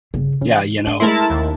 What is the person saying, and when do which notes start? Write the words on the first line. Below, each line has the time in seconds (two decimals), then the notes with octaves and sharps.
Yeah, you know,
0.14 G1 C#3
0.41 C#3 E3 G3
0.87 C#4 D4
1.00 G#3 A3 E4 A#4 A5 C6
1.30 D#2